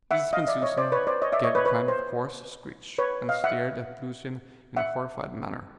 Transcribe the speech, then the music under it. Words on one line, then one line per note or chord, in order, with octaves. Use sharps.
Mrs. Bensusan gave a kind of hoarse screech, and stared at Lucian in a horrified manner.
E5 F#5
D#5 F5
D5 E5
C#5 D#5
C5 D5
B4 C#5
C5 D5
C#5 D#5
D5 E5
C#5 D#5
B4 C#5
B4 C#5
C5
B4 C#5
D#5 F5
E5 F#5
E5 F#5